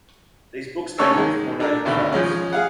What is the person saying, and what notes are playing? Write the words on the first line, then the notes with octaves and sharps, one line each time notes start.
These books made Wolff more known in France.
C#3 A#3 C#4 C#5 A5 E6
G#2 D#3 G#3
D4 A4 A#4
G#1 D2 B2 A4 B5
C#3 F3 G#3 C#4
G#4 F5 F#5